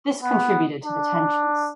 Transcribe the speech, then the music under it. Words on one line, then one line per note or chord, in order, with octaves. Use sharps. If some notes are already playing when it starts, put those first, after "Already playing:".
This contributed to the tensions.
B3
D4